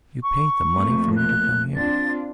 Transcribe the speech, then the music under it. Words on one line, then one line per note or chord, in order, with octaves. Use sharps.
You paid the money for me to come here.
C#6
F2 A3 A#3
F#6
C4 D4 F4 A6